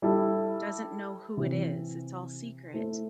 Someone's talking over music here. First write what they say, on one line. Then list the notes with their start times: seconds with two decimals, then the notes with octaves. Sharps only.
doesn't know who it is, it's all secret,
0.02 G3 E4 A4
1.37 C3 E3 C4
2.73 A3 E4 A4 C5